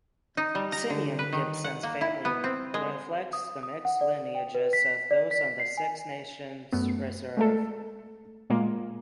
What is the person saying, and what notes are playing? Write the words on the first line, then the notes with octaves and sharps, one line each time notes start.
Simeon Gibson’s family reflects the mixed lineages of those on the Six Nations Reserve.
D#4
G3
A#5
D3
B4
D#3
F#5
A#3
E4
B3
C4
G#3
D#6
D#6
F#5
D5
G5
B4
B6
D5
B6
C7
G#5
F#2 A3 B3
G#3 A3 A4
A#2 G#3 A#3 F4